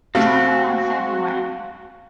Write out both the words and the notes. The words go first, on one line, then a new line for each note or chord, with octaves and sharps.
Tarver in February.
C3 A3 C4 F#4 F5